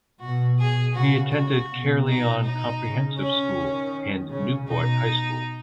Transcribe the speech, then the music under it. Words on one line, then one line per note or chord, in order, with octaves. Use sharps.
He attended Caerleon Comprehensive School and Newport High School.
B2 F#4
G#4
C#3 F#4
F#4
B2
D#4
D#4
C#3
C#4
D#3
C#3 C#4
B2 D#4